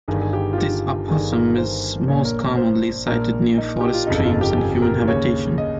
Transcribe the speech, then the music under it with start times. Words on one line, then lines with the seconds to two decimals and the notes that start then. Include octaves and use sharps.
This opossum is most commonly sighted near forest streams and human habitation.
0.08 G1 G2 D#3 G#4
0.21 G#4
0.33 G4
0.53 F4
0.58 G4
1.08 G1 G2 D#3 G#4
1.32 A#4
1.58 C5
2.08 A#1 A#2 C#5
2.25 A#4
2.41 A#4
2.57 C5
3.07 A#1 A#2 A#4
3.58 D#4
3.81 G4
3.94 F4
4.07 G1 F2 C#3 D#4
4.24 F4
4.41 G4
4.57 G#4
4.82 A#4
5.08 D#2 C#3 C#5
5.58 D#5